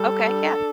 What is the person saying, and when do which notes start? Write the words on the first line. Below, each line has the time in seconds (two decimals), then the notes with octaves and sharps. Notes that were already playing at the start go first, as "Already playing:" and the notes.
Okay, yeah.
Already playing: G3 A4
0.26 D4